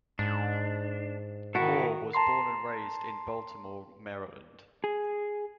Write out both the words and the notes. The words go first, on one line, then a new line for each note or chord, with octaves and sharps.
Moore was born and raised in Baltimore, Maryland.
G#2 D4
D#3 E4 F#4 A4
A5 A#5 C6 C7
G#4